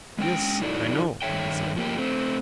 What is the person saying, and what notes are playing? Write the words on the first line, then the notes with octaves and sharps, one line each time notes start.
Yes, I know, he said.
G#3 C#4 G5
F#3 D#4 E4 A4 D5
G2 D#3 C4 C#5 E5 G5
F3 A#3 G4
A3 C4